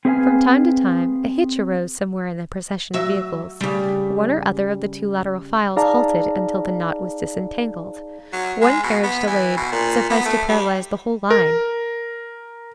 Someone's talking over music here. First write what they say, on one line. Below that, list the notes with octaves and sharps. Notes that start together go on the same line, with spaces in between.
From time to time, a hitch arose somewhere in the procession of vehicles; one or other of the two lateral files halted until the knot was disentangled; one carriage delayed sufficed to paralyze the whole line.
C4 G#4 B4 D5 F5 G#5
F#3 E5
C#3 G3
D#4 G#4 D5 F5 A5 A#5
F#3
G#3
B2
B3
E3
B2
A#2
B3
A3
G3
A#4